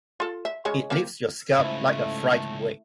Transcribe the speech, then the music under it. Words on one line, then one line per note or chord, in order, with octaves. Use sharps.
It lifts your scalp like a fright wig.
F4 A4
E5
C#3 G#3 C#5
A#3 C4 G4
C#2 G#2 C#3 A3 E4 F4